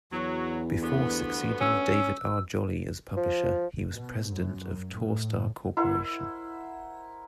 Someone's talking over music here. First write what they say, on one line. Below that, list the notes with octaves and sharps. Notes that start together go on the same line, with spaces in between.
Before succeeding David R. Jolley as publisher, he was president of Torstar Corporation.
E2 F#3
D2 G2 B3
C#4 E6
F3
B2
F#2
A2
E4 A#4 C5 F#5